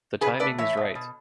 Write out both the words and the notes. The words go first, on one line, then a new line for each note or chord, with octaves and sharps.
The timing is right.
C#3 G#4 B4
A3 B4 D5
E3 C#5 E5
B2
B2